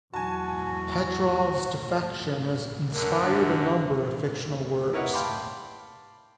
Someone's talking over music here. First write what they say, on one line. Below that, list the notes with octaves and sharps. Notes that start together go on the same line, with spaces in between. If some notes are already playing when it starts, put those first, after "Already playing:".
Petrov's defection has inspired a number of fictional works.
E2 F#3 F#4 G#5 A5
F#2 D3 A#4
D4
E4 A#4 B4 C#5 D#5 F#5
F5 G5 A5 B5 C6 D6